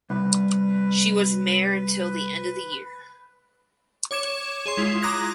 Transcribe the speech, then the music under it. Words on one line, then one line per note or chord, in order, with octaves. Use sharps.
She was mayor until the end of the year.
C2 B4
C#5 D6 G#6 E7
G#4 C#5 C6
G#3 E4 F4
A#5 D6 D#6 F#6 G#6 A#6